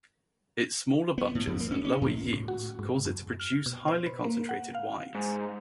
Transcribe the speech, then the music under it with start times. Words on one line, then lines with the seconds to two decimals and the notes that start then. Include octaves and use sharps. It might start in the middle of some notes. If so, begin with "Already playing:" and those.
Its smaller bunches and lower yields cause it to produce highly concentrated wines.
1.18 B3
1.35 A2
1.47 F2
1.60 A#3
1.72 C#4
1.85 C#4
2.02 A2
2.33 A2
2.48 F#4
2.79 G#2
3.05 F#2
3.40 F6
3.66 B2
3.88 C5
4.06 B4
4.24 A#3
4.49 F#5
4.75 F5
5.15 G#2